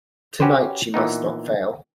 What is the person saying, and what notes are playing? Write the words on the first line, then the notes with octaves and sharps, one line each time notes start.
Tonight she must not fail.
C#4 F#4 G4 B4 C5
A#2 E3 B3 D#4